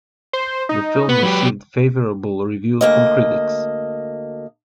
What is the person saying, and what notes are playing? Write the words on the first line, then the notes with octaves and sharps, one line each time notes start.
The film received favorable reviews from critics.
C5
D#4
B3 B4
F#3 G4
D2 A#3 D#5